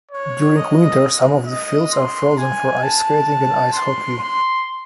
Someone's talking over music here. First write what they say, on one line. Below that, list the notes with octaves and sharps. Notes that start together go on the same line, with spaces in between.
During winter some of the fields are frozen for ice-skating and ice hockey.
C#5
D#5
D#5
C6
G#5
A5
C6
C6